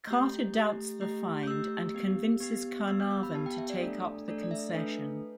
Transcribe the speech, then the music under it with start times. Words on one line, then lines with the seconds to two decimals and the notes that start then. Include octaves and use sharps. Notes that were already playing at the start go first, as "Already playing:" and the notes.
Carter doubts the find and convinces Carnarvon to take up the concession.
0.07 A3 G4 G6
0.54 A3 G4
1.01 A3 G4
1.43 G6
1.47 A3 G4 E6
1.95 B3 G4
2.40 B3 G4
2.88 B3 G4 E6
3.00 G6
3.11 E6
3.23 B5
3.34 B3 G4 A5
3.46 G5
3.58 E5
3.70 D5
3.81 A3 D4 A4
4.28 A3 D4 A4 D5
4.43 D5
4.51 E5
4.74 A3 D4 A4 B4